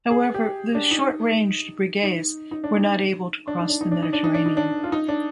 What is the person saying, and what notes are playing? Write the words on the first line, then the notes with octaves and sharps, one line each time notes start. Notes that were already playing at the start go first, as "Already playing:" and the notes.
However, the short-ranged Breguets were not able to cross the Mediterranean.
G#4
G4
D4
D#4
D#4
D#4
D4
D#4
D4
D#4
D4
D#4
D4
D#4
D4
D#4
D4
D#4
D4
F4
D#4
D4